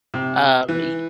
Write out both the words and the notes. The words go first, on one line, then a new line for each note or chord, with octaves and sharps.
um, y
C3
E3